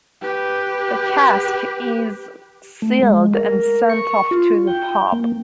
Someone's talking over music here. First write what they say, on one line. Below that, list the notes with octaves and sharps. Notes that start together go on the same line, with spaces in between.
The cask is sealed and sent off to the pub.
G4 B4
A3
G#3
A#4
C#6
F4
G5
A#3